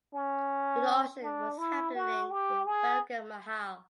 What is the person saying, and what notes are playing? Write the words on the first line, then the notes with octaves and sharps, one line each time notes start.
An auction was happening in Begum Mahal.
C#4
D4
E4
F#4
G4
G#4